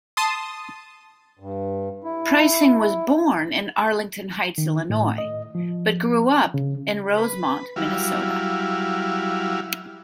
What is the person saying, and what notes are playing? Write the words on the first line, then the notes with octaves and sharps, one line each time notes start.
Preissing was born in Arlington Heights, Illinois, but grew up in Rosemount, Minnesota.
A5 C6 D#6
G2
E4
D#3
A2
D#5
F3
C#3
B4
F#3 G3 E4 F5